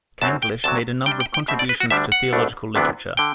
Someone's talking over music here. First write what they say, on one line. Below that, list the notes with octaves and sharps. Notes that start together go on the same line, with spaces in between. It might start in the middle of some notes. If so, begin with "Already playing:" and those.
Candlish made a number of contributions to theological literature.
F#2 F#3 C4 A5
G5
D2 C3 F#3 A5
C3 G3 D4 G5
G5
G5
B2 A3 C4 E5
D5
B4
F#4
D2 D3 G3 D4 E5
F#5
C2 B2 A3 D4
D2 C3 E3 B3 D4
D3 G5